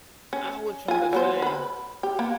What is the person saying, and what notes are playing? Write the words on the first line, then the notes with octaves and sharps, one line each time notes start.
I would try to say
C#4
F4 G#5
F#3 B3 C5
B4 B5
G4
A#3 B3